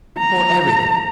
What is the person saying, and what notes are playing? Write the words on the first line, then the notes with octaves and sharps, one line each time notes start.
"For everything."
A#5